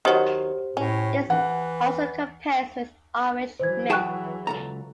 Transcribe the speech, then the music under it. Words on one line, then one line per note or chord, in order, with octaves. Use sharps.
This also compares with Irish myth.
D#3 F#3 G4 C5
A2 C#4
E3 F#5
E3 F#3 C5 G#6
G#4 F#5 G5 A5 C#6 F#6
C#2 A4 A#5